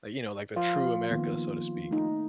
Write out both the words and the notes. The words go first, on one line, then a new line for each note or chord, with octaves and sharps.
like, you know, like, the true America, so to speak.
F3 F4 A#4 F5
D#3 A#3 B3
A3 D#4